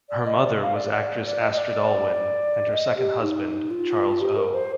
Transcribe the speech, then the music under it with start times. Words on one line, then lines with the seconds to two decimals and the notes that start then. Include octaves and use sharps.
Her mother was actress Astrid Allwyn and her second husband, Charles O.
0.09 D5
0.27 D#5
0.38 D5
0.63 F5
0.76 D5
1.25 D5
1.41 D#5
1.52 D#5
1.58 D5
2.73 D#5
2.97 G4
3.22 D#4
3.70 F4
4.21 G4
4.36 A#4
4.54 C5